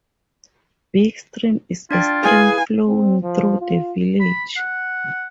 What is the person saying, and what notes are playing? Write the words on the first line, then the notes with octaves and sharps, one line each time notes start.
Big Stream is a stream flowing through the village.
D4 F4 D5 G5
E4 G#4 B4 F5 G#5
C4
F3
F4
B5
F#5